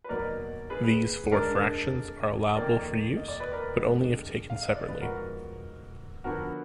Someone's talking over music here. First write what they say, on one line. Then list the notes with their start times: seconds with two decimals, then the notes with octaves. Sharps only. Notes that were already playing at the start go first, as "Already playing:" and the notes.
These four fractions are allowable for use, but only if taken separately.
0.04 B4
0.09 B2 F#3 A#3 D#4 A#4 D5
0.70 G#4 B4
1.32 D3 G#3 D4 A#4 D5
2.55 F2 D#3 A#3 A#4 D5
3.17 D#5
3.28 D5
3.40 B4
3.52 A#4 D5
3.78 F2 D3 G#3
4.50 F5
4.63 D#5
4.75 D5
4.89 B4
5.01 G#2 F3 B3 F#4 A#4
6.24 D3 F3 B3 D4 F#4 A#4